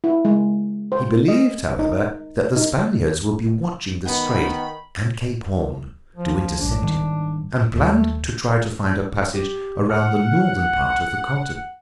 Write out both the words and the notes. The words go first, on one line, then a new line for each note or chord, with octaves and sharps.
He believed, however, that the Spaniards would be watching the Strait and Cape Horn to intercept him, and planned to try to find a passage around the northern part of the continent.
E4
G#3
C5
D#5
D#4
D#4
D#3 B3 B5
F3
A#1 G2 D4
G#2 D#3 G3
D#2 A3
G4
F#5 F6